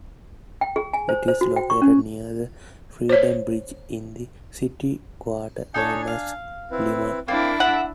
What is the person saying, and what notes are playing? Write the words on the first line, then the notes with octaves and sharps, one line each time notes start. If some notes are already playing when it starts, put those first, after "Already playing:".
It is located near the Freedom Bridge, in the city quarter known as Liman.
G5
G#4
G#5
C5
C5
F#4
G5
C#6
C#4
C5 C#5
D4 D#4 A4 C#5 G#5
F5
C4 E4 B4
A#3 C4 D4 E4 F5 G5
A4 E5 F#5